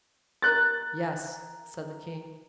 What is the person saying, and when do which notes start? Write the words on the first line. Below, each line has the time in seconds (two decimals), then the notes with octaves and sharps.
"Yes," said the King.
0.42 A#4 F#6 A6